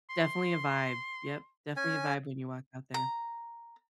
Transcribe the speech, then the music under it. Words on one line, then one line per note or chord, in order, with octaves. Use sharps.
definitely a vibe yep, definitely a vibe when you walk out there
C6
C#4 G#5
A#5